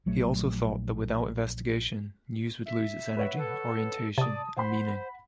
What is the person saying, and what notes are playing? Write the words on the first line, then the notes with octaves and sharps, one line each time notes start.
He also thought that without investigation, news would lose its energy, orientation and meaning.
A#1 F#3 A3
E5
B4 C#5 F#5
A4
C3 D5 A5 D#6
C5 F#5 B5